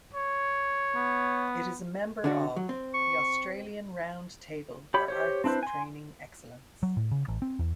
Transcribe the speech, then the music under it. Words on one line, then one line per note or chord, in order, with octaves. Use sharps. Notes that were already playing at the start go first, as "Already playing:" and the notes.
It is a member of the "Australian Roundtable for Arts Training Excellence".
C#5
B3
D3 D4 F#4
F#3
C4
C#6
G4 C#5 B5
G4 C5 C#5
C4 D4 E4 B4 C5
G#5 C6
F#3
A2
C#3
A1
C4
E2